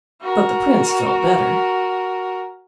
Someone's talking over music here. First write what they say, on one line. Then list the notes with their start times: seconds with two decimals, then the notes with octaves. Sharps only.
But the prince felt better.
0.22 F#4 A#4